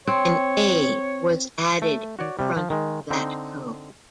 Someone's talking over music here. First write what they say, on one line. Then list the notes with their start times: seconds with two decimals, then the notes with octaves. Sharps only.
An A was added in front of that code.
0.07 C4 C#5
1.82 A3
2.19 F#4 C#5 D5
2.39 C3 G3
2.57 F3
2.70 D#3 G#3
3.10 D3 C4 D#4